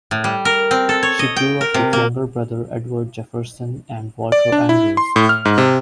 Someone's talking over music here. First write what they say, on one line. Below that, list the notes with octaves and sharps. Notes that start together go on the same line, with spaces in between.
She grew up with younger brothers Edward Jefferson and Walter Andrews.
A2
G3
A#4
C4
A4
C#5
D#5
G5
A#4
C3
A#3
D5
D4
E4
C6
A2
F6
G#2
C3